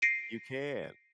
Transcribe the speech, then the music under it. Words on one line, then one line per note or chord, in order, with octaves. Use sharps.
You can.
A#6 C7 D7 D#7